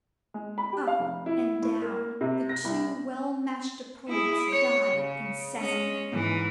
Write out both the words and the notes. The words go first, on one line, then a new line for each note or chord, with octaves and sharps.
Up and down, the two well-matched opponents dive incessantly.
G#3
B5
G4
F5
F1
E4
A2
A#3
C3
A#6
C2
E4 G#4
C#5
C#3
G#3 C#4
G#2 E3